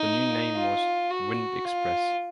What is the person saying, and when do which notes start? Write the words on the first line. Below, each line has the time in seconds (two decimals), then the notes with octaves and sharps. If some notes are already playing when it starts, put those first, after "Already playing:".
The new name was "Wind Express".
Already playing: D#4
0.56 F4
1.10 F#4
1.64 F4